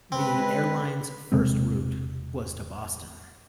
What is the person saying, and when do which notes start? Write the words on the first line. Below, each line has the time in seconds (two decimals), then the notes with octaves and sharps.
The airline's first route was to Boston.
0.12 G#3 C4 B4
1.32 E1 C3 G#3 C4